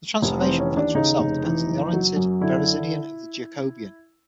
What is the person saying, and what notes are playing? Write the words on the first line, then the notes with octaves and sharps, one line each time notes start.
The transformation factor itself depends on the oriented Berezinian of the Jacobian.
F1
C4
E3
C#4
D#2
D4
C#3 D#4
F1
E3
F#1
F#3
F#2
D3 E4